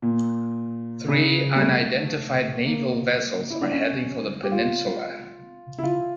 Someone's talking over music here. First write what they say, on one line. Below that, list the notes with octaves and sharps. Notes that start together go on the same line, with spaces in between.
Three unidentified naval vessels are heading for the peninsula.
A#2
C#3
G3
A3
A#3
E4
D4
C#4
G4
F4
E4
F4